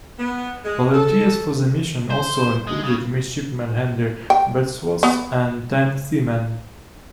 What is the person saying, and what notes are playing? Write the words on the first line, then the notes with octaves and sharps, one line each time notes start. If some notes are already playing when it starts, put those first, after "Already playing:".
Volunteers for the mission also included Midshipman Henry Wadsworth and ten seamen.
B3
G#3
A4
C5
G#3
C#3
G5
B3